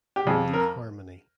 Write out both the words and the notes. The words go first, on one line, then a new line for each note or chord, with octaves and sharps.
We need harmony.
G4
F2 G#4
A#4